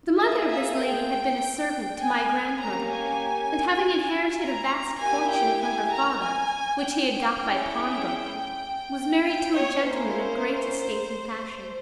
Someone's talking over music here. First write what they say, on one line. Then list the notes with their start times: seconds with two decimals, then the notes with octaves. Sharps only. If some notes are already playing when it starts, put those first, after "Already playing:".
The mother of this lady had been a servant to my grand-mother; and, having inherited a vast fortune from her father, which he had got by pawnbroking, was married to a gentleman of great estate and fashion.
0.18 A#3 F4 G#4 E5
0.48 E5
0.78 G5
1.99 G#5
2.59 A#3 C#4 G4 A#5
2.90 G#5
4.40 A#5
5.01 A#3 E4 G4 G#5
5.31 G5
5.61 G#5
5.92 A#5
6.22 G#5
6.82 G5
7.42 C#4 E4 G#4
9.23 G5
9.53 C#5
9.83 A#3 C#4 E4 C5